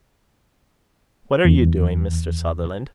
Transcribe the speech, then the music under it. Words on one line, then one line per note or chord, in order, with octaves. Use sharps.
"What are you doing, Mr. Sutherland?"
E2